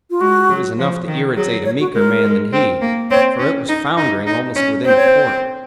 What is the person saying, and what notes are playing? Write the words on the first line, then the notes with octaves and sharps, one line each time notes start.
It was enough to irritate a meeker man than he; for it was foundering almost within the port.
F4
G#3 F#4
F#3
F3
D#3
F#3 G#4
C#5
F#4
G#3 A#4
G#3
C4
A#3
C4 C#5
C#4
D#4
D#4
D#4
C#4
C4 C5
C#5
C5